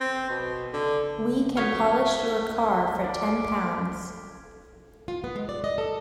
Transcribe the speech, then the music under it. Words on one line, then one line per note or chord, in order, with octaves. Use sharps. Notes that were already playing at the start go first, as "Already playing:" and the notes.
We can polish your car for ten pounds.
C4
B2
D3
C#3 F3 F#4 C#5 F5 F6 G#6 B6
D4 D6
F4
B3
G#3
D5
D#5
A4